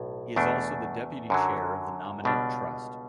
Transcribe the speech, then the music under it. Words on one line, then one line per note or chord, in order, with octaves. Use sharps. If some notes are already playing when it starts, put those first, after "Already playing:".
He is also the deputy chair of the Nominet Trust.
Already playing: B1 A2
E2 B2 A3 D4
F#2 D3 F#3
C#2 B2 G3 D4